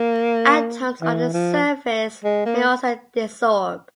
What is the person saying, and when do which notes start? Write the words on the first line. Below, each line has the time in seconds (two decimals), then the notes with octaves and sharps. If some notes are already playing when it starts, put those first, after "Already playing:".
Atoms on the surface may also desorb.
Already playing: A#3
1.02 E3
1.33 F3
2.25 G#3
2.46 A#3